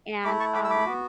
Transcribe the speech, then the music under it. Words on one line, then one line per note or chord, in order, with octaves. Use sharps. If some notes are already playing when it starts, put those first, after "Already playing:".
and, um,
A3 E4 B5 D6
A5 C#6
B5 D6
E6
B5 D6
B3 F#4